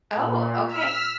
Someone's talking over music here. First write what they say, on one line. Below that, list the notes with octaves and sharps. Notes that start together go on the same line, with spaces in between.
Oh, okay.
A#2
E6 F6 B6